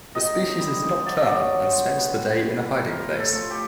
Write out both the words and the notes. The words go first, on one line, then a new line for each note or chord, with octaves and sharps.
The species is nocturnal and spends the day in a hiding place.
D#3 D#5
C3
G3
C3
F#3 D5
D#5
F#3 D5
C#5
F#3
C5
B2
G3 B4
C#3
G3
G3
F3 A#4
A2
A4
F3
G4